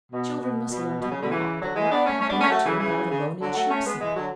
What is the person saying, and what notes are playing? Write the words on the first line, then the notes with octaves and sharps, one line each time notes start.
Children must learn to walk, but not by being turned out alone in Cheapside.
B2
B2
B2
B2
C#3
B2 D3
C#3 E3
D3 F#3
E3 G#3
B3 D4
A3 C#4
A3 C#4
B3 D4
A3 C#4
F#3 A3
C#3 E3
C#3 E3
C#3
D3 F#3
F#3 A3
A3 C#4
G#3 B3
E3 G#3
D3 F#3